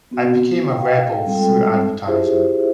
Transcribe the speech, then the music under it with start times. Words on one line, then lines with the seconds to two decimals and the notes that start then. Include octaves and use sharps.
I became a rebel through advertising.
0.11 B3 C4 F#4
0.70 F5 G5
1.26 G3 G#3 C4 F4 A4 G5
2.07 E4 F4 G4 G#4 C5 E5